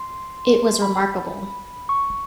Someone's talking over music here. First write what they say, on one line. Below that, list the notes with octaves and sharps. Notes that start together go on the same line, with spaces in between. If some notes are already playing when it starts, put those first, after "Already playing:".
It was remarkable.
Already playing: C6
B5
C#6